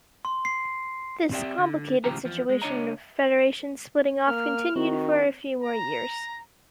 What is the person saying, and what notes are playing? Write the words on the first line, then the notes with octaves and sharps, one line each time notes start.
This complicated situation of federations splitting off continued for a few more years.
C6
C7
C4 G4 D5 E5 G5
D3
D#2 A2 C#3 F3 G4 A#5
E2 F3
G#3
C#2 D4 C#5 D#5 A#5
A#3 F6
D#3 C4 F#4
A#5